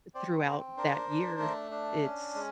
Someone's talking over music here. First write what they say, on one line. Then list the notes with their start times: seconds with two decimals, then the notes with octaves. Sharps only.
throughout that year, it's
0.15 C4 C5 D5
0.45 C4 A#4 C5
0.77 D4 A#4 C5
1.09 D4
1.40 A3
1.71 D4
2.03 C#4
2.35 G#3